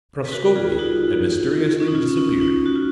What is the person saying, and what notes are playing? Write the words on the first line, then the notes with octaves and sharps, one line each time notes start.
Prascovie had mysteriously disappeared!
B4
F#4 A#4
F4 G#4
F4
D#4 F#4
C#4
D#4
F4
C#4
D#4
D#4
F#4
F4